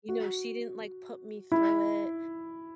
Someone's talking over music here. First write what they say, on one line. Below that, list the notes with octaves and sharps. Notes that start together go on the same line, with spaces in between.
You know, she didn't, like, put me through it,
F#4
E4